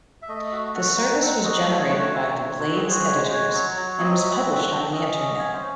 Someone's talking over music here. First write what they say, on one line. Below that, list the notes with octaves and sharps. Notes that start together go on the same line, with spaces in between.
The service was generated by the "Blade"s editors and was published on the internet.
E5
A3 D#5
F#4 E5
F#4 F#5
D#4 F#5
C4 F#5
F#4 D#5
A3 D#5
C#5
F#4 C5
C#5
C4
C4
F#4 C5
G#4
F#4 C#5
C5
G#3 C#5
C5
F#4 C#5
F#3 C#5
F#3
C4 D#5
F#4 E5
C4
C4
C#4 D#5
C#4
C#4 C#5
C5